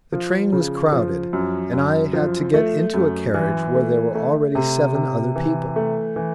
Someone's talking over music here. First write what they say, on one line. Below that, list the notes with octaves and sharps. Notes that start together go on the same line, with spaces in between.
The train was crowded, and I had to get into a carriage where there were already seven other people.
F3
C#3
F3
F#2
F#2
F3
A3
F#2
E3
A3
A3
C3
C3
E3
A3
E3